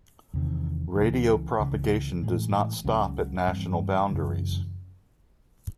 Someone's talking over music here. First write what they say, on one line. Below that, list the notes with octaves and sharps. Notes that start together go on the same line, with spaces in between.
Radio propagation does not stop at national boundaries.
E2 C3 D#3
C#2 C#3 E3
C#2 C#3 E3
A2 E3 G#3
C#2 C#3 F#3
G2 E3 G3 C4
F#2 C#3 E3